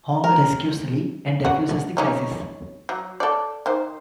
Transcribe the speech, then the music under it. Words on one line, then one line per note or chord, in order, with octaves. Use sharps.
Hong rescues Lee and defuses the crisis.
A#4
F#4
G3 C#4 D#4
F#3
A4 D5
D#3 C5